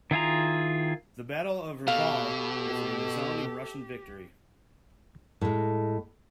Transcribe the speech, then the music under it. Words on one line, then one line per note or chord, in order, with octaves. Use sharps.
The Battle of Reval was a resounding Russian victory.
D#3 E4 F4 G#4 A#5
B2 G4 A4 F5
A2 G#3